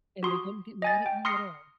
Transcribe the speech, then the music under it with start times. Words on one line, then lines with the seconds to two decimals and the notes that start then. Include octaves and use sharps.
And they wouldn't get mad at you at all.
0.23 F#4 C6 D#6
0.82 D#5 G#5 A6
1.06 G5
1.25 C6 D#6 F6 A#6 C7 C#7